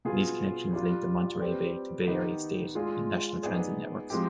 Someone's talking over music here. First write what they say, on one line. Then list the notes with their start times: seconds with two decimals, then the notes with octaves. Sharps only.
These connections link the Monterey Bay to Bay Area, state, and national transit networks.
0.05 B2 B3 F4 G#4
0.72 G3 D4 F4
1.40 G3 C4 G4 B4 D5
2.07 D#3 B3 D#4 G4 B4
2.75 G#3 D4 F4 G#4
3.43 B3 D#4 G#4 D5
4.10 F3 G#3 C4 G4